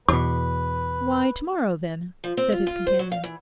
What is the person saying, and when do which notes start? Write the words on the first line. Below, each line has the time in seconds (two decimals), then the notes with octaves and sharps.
'Why, to-morrow, then,' said his companion.
0.09 E2 B2 B4 D6
2.24 F3
2.37 C4
2.52 F4
2.67 F4
2.87 C5
2.99 F#3
3.12 F5
3.24 E3